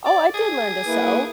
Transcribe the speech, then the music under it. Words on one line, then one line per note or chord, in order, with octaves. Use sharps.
"Oh, I did learn to sew."
D5
G#4
A#3 E4 B4